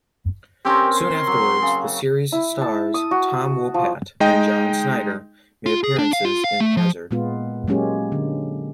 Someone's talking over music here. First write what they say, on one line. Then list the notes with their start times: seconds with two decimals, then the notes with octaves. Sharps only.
Soon afterwards, the series' stars Tom Wopat and John Schneider made appearances in Hazard.
0.65 C4 C#4 G4 A#4
0.97 C6
1.27 F#3
1.62 C#3
2.32 E4
2.62 A5
2.94 D#6
3.11 F#4
3.74 F3
4.20 G#3 D#4 D#5 G5
5.66 F4
5.84 G#4
5.99 D4
6.13 F5
6.25 F4
6.44 F5
6.60 A3
6.77 F3
7.11 A#2 G#3 B3 F4
7.68 F#3 G#3 A#3 C#4 G4
8.12 D3